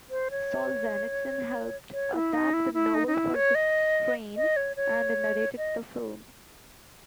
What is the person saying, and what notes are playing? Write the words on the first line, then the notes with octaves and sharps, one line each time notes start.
Solzhenitsyn helped adapt the novel for the screen and narrated the film.
C5
C#5
C#5
E4
D#4
E4
E4
D#4
D#4
E4
C#5
D#5
D#5
C#5
C#5
D#5